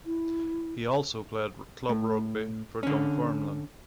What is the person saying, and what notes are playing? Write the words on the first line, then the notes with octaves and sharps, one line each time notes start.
He also played club rugby for Dunfermline.
E4
A2
D3 C#4